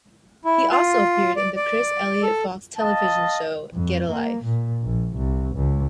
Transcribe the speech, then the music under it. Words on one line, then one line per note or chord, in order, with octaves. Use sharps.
He also appeared in the Chris Elliot Fox television show "Get a Life".
E4
F4
D5
D5
A4
D#5 F5 A5
F2
A#3
A#2
A#1
C2
C#2